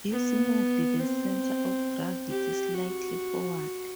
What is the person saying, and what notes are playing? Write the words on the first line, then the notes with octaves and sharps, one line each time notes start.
This moved the center of gravity slightly forward.
B3
C4
G4
F#4